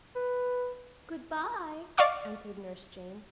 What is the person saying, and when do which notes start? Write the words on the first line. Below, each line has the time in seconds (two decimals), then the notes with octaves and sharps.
"Good-bye!" answered Nurse Jane.
0.16 B4
1.98 D5 D#5 F5 C#6 F6